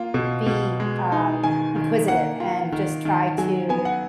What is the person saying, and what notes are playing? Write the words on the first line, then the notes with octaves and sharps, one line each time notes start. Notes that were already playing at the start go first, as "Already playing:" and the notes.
be, um, inquisitive and just try to
Already playing: A#3 F4
B2
B2
G#3
D#4
D#3 G#5
D#3
A#3 F#5
F4
D#3
D#3
F#3 G#5
B3 G#5
F#5